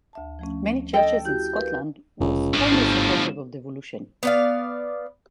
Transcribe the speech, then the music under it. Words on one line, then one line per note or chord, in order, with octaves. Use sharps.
Many churches in Scotland were strongly supportive of devolution.
D2 E5 A5
F3 A3 C#4
A4 D#5 G5
E4 F#4 G4 G6
A#4 B4 F5
F1 C#2
G#1 A2 F3 D4
G1
B3 D5 F5